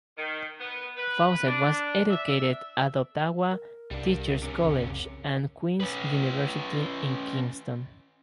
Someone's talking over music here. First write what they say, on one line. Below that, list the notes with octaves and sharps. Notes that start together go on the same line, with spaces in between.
Fawcett was educated at Ottawa Teachers' College and Queen's University in Kingston.
D#3
B3
B4
D4
E5
A#4
C2 G3 D4
C3 C#4
F1 C2 C#3
C#4 B4